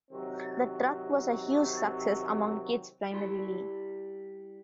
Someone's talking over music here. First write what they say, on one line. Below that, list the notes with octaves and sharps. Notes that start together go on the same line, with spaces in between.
The truck was a huge success among kids primarily.
C3 D#3 F#3 C4
G3 E4 C6